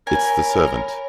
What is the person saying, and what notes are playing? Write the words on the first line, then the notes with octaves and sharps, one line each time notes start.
It's the servant.
A#4 C#5 G#5 B5